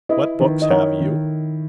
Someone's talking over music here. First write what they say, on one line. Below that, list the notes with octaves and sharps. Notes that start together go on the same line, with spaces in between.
"What books have you?"
E4 B4 D#5
D#3 B4
D#5
D#3 A#4 C#5
D#3